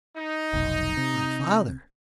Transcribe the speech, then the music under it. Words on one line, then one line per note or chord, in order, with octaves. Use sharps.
"My father!"
D#4
F1 B1
C3